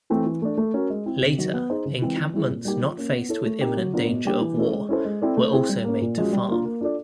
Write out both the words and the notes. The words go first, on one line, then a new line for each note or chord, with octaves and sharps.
Later, encampments not faced with imminent danger of war were also made to farm.
E3 A3 C4
E3
A3 D4
A3
C#4 F#4 A#4
G#3
C4 E4
C3
D#3 F#3
B3
D#4 G#4 C5 D#5
C#3
E3 G#3 C4
E3
G3 C4 E4 G#4
A#2
G3 A#3 D#4 G4
F3
A#3 C#4
B3
E4 A4 C#5
A3
C4 D#4 G4 A#4
F#3
B3 D4 F4 A#4
B2
G3 A#3 D4 G4
E3
A3 C#4 E4 A4
G#3
C#4 E4 A4 C5
G#3
C4 E4 A4 D5
A3
C4 E4 G#4 C5
G3
A#3 C#4
A#2
F3 G#3 C#4 F#4
G3
A#3 D4 F4 A#4
A#3
D4 F4 A4 D5